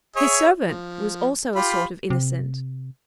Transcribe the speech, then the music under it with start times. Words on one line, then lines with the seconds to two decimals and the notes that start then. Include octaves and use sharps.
His servant was also a sort of innocent.
0.16 G#4 C#5 E5
0.67 F3
1.55 F4 G4 B5
2.10 C3